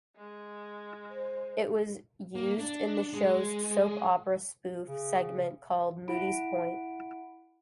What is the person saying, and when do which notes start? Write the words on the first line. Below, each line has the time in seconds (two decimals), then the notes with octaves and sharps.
It was used in the show's soap opera spoof segment called "Moody's Point".
0.16 G#3
1.10 C5
2.35 A#3
2.58 D4
3.13 G#3
4.87 C#3
6.08 E4 F#5 B5 D7